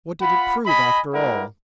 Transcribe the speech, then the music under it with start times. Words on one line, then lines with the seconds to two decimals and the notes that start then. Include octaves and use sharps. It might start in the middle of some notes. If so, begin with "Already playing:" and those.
What did it prove after all?
0.21 F4 F#5 B5
0.66 D#5 G#5 B5
1.13 G3 G#3 E4 A#4 F#5